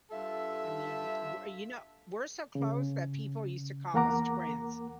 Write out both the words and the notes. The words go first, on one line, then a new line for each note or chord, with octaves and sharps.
I mean, we're you know, we're so close that people used to call us twins
G2 F4 A4 E5
C#3
E2 A#3 A#4 F#5 A#5 D6